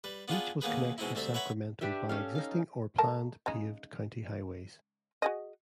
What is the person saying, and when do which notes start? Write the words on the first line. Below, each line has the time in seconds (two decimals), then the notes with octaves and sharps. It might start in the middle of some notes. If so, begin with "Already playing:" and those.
Each was connected to Sacramento by existing or planned paved county highways.
0.04 G3 B4
0.28 B3 D4 F4 G#4 B4
0.62 D#2 A#3 B3 G#4 B4
0.98 B2 G#3 C4 D#4 E4
1.15 D2 G3 C4 E5
1.34 B4 C#5 E5 F#5 A#5 B5
1.81 D4 G4 B4 E5
2.09 C#4 A4 F5
2.35 D#4 F5
2.98 A3 A#4 A5
3.46 C#3 G#3 D#4
5.22 F#4 G#4 D#5